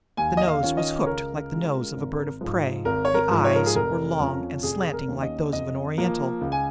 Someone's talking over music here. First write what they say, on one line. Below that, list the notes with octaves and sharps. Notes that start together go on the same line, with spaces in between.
The nose was hooked like the nose of a bird of prey; the eyes were long and slanting like those of an Oriental.
D#2 G#5
D#5
F5
D#3 C#4 F4
D#5
C#5
C#2 A#4
C#3 G#3 F4
G#1
G#2 F3
G#1 A#4
C#5
A#4
G#2 F3
C#5
A#4
G#4
F1 A#4
F2 F3 C#4
F1 G#4
G#4
A#4
D#2 D#3 A#3 C#4
D#5
F2 D#5
F3 A#3
C#2
G#5